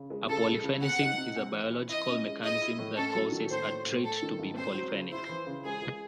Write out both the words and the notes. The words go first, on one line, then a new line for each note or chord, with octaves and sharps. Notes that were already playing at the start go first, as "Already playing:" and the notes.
A polyphenism is a biological mechanism that causes a trait to be polyphenic.
Already playing: C#3
G#3
C#3 A4
G#3
C#3
C4 F#5
D#4
C3
C4
E3
E4
E4 D#5
C#4
G#3
E4 D#5
E4
A2
C#4 A4
F#3
D#3
A2 C5
A2
A2
A3 A4
D#3
G#2
C4 C5
F#3
C#3
E4 C5
E3
C#3
G#3 G#4
G#3